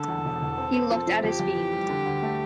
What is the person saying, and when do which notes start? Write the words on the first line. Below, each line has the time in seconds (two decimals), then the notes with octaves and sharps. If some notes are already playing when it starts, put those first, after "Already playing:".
He looked at his feet.
Already playing: D3 A4
0.08 E2
0.25 E1
0.42 E1
0.58 C4
0.74 C4
0.91 F3
1.07 F3
1.23 F2 G4
1.40 F2
1.57 E3
1.73 G3
1.89 D3
2.06 D2
2.22 A3